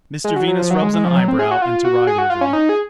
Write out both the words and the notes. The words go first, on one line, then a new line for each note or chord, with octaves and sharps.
Mr Venus rubs an eyebrow, interrogatively.
G#3
F#3
F#3
F3
F#3
G#3
G#3
F3
F#3
C4
G#4
F#4
F4
F#4
G#4
F#4
F4
C#4
D#4
G#4